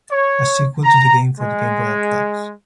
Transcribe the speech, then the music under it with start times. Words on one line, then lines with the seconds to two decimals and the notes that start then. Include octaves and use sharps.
A sequel to the game for the Game Boy Advance.
0.11 C#5
0.84 A#5
1.40 G#3